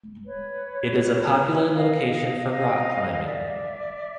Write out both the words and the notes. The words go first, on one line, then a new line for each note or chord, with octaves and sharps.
It is a popular location for rock climbing.
B4 C#5
D#5 F5
D#5 F5
D5 E5